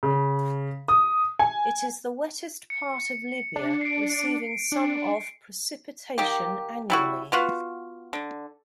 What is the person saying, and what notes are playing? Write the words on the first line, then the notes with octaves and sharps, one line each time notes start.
It is the wettest part of Libya, receiving some of precipitation annually.
C#3
D#6
G#5
C#7
D4
C7 D7
D4
D#3 A#3 G4
G3 E4 F#4
B3 F4 F#4
D3